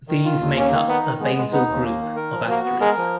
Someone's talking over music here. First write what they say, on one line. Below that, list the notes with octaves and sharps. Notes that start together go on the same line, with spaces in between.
These make up a basal group of asterids.
D#3
F4
D#2
A#3 C#4
D#3
B3 D#4
D#3
G#3 B3
G#3
B3 D#4
D#2
A#3
D#3
A#4
F3
A#3 F#4
B3
G#3 A#4
F3